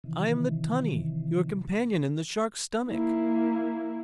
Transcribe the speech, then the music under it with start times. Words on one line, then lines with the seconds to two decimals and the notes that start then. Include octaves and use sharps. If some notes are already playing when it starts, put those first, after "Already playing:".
"I am the Tunny, your companion in the Shark's stomach."
0.04 C3 D#3 E3
2.88 A#3 E4